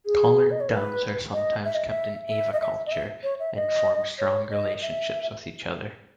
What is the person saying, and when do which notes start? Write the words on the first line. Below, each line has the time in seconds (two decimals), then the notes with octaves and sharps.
Collared doves are sometimes kept in aviculture, and form strong relationships with each other.
0.06 G#4
0.51 D#5
0.60 C#5
0.69 B4
1.33 D#5
1.65 E5
1.75 D#5
1.86 E5
2.28 E5
2.53 D#5
2.60 E5
2.86 D#5
2.92 E5
3.23 C#5
3.40 E5
3.56 D#5
4.19 C#5
4.51 D#5
4.82 E5